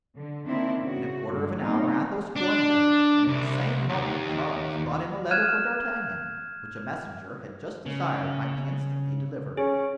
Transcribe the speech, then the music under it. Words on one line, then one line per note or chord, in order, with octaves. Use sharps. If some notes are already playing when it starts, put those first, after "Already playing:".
In a quarter of an hour Athos joined them and at the same moment Charles brought in a letter for D'Artagnan, which a messenger had just desired might be instantly delivered.
D3
D#3 A#3 C4 D4 E4
C#3 F#4
G2 G#3
B2 G3 A#3 C4 D#4
D4
C2
D#2
F6 F#6 G#6 D#7 E7
C#3
C#4 G#4